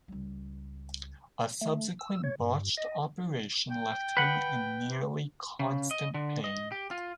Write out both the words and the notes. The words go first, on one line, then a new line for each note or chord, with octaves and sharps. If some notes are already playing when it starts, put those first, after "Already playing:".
A subsequent botched operation left him in nearly constant pain.
C#2 G3
A3
E6
C#5
G2
D#5
G5
B4 F#5
C#3
D#5
D3
D#5
G4
F4